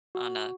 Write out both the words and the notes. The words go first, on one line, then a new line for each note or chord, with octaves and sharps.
on a
F#4